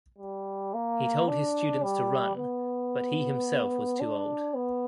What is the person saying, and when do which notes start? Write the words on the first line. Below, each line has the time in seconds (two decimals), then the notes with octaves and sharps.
He told his students to run, but he himself was too old.
0.18 G3
0.74 A#3
1.28 D4
1.83 G3
2.36 B3
4.00 D4
4.55 B3